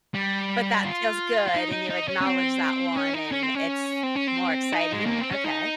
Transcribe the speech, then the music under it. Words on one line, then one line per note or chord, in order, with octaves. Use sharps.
But that feels good, and you acknowledge that one, and it's more exciting? Okay.
G3
F4
F4
D#4
D#4
D#4
C#4
C#4
C4
C#4
D#4
C#4
C4
C#4
C4
C#4
C4
D#4
G#3
A#3
C4
C#4
D#4